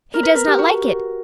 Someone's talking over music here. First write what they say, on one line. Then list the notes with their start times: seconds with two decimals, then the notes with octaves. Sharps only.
He does not like it!
0.14 A#4
0.23 B4
0.35 A#4
0.47 G4
0.58 F#4